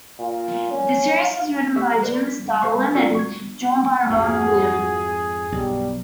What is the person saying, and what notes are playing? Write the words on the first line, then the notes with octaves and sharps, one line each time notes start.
The series was written by Jim Starlin, and drawn by Ron Lim.
A#2
C#4
G4 E5 C#6 E6
B4 D5
B6
A4 C5 F5 C#6
C4 F4 F#4 D5 E6 C#7
C#6 G#6
F2 G#2 F#4 G#4
B1 G2 G3